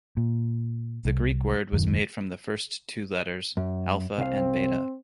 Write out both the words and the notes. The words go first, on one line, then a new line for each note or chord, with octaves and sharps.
The Greek word was made from the first two letters, "alpha" and "beta".
A#2
C2
D#1 F#2 D#3
F#2
C2 C4 F5